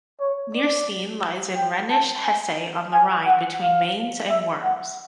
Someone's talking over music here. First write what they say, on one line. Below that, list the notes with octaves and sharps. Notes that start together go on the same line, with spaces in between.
Nierstein lies in Rhenish Hesse on the Rhine between Mainz and Worms.
C#5
D5
G5
A5
G#5
G#5
F#5
F5
E5
F#5